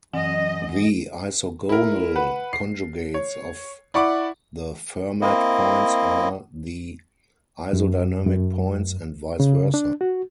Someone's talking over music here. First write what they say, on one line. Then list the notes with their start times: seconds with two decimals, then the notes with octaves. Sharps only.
The isogonal conjugates of the Fermat points are the isodynamic points and vice versa.
0.13 F#2 E3 D#5 F#5 G#5
1.69 E4 A#4
2.15 B4 F#5
2.53 C7
3.14 C#5
3.94 E4 D5 F#5 C#6 D6
5.22 A#3 C4 E4 D#5
7.73 F#2
8.26 F#2
9.40 C#3
9.74 D4
10.01 F#4